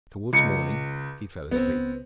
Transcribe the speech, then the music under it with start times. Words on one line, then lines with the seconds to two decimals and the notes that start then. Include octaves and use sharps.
Towards morning he fell asleep.
0.33 C#2 C#7
1.51 C#2 B3 C4